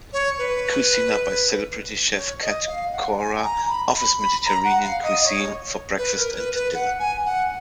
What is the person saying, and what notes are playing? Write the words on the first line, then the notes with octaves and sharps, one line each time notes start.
Kouzzina by celebrity chef Cat Cora offers Mediterranean cuisine for breakfast and dinner.
C#5
B4
C#5
D#5
F5
F#5
G#5
A#5
B5
B5
B5
A#5
F#5
F5
D#5
D#5
C#5
B4
A#4
B4
B4
F#5
G#5
F#5